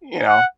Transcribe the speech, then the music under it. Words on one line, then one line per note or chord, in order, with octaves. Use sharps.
you know,
F#5